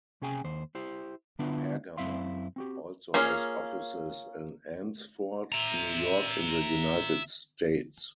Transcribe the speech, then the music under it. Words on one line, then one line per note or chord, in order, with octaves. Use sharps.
Pergamon also has offices in Elmsford, New York in the United States.
C3 C#4 G#4 G5 G#5
D#2 C5
E4 G4 C5
D3 B3 D4 E4 F4 B4
F#2 C4 E4 E5 F5 C6
C4 F#4 G4
A#3 C#4 F4 G#4
E5 A#5